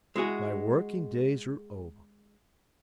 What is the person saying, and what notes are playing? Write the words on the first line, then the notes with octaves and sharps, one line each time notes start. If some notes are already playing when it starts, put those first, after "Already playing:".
My working days are over.
G#3 E4 F#4 G#4